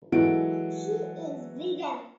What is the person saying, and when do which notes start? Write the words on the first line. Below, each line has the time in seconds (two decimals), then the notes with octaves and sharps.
She is vegan.
0.12 E3 F#3 G#3 A4 F#5 D7